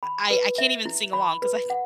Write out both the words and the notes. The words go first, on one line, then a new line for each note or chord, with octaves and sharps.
I I I can't even sing along 'cause I I
B5
B4
E5
E4
B5
B4
F#5